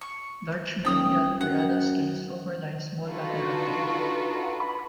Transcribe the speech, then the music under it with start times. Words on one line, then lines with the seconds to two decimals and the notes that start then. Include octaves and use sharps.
Large medial preanal scales overlie small lateral pair.
0.01 C#6
0.85 D#1 G5 D#6 F6
1.41 F#2 F#5
3.08 D4 D#4 F4 F#4 A4 B4